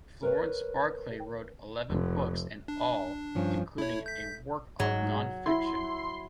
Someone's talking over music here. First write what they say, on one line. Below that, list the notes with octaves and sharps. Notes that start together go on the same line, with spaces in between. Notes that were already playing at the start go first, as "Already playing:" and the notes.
Florence Barclay wrote eleven books in all, including a work of non-fiction.
A#4 B4 C#5
F1
D4
G2 F3 C#4
A3 E4 C#5
G6 B6
G#2 F#3
E4 E5 C6